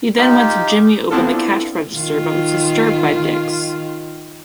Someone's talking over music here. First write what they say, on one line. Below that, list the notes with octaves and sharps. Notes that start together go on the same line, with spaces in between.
He then went to jimmy open the cash register but was disturbed by Dicks.
D#4 F4 G4
B3 C4 D4 E4 F4 A4
D#3 F4